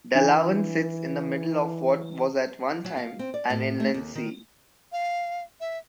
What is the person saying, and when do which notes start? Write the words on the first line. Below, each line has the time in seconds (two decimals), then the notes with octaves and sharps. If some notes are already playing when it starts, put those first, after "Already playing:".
Delavan sits in the middle of what was at one time an inland sea.
0.15 E3 D4
2.84 F#3
2.97 F5
3.19 C4
3.34 D5
3.50 A2
3.80 A3
3.94 D#2
4.15 D#3
4.92 F5
5.61 E5